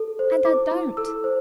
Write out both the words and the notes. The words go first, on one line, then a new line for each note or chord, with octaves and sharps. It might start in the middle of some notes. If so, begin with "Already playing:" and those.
And I don't.
Already playing: A4
C5
E4 D6
E4
A4 E6
C5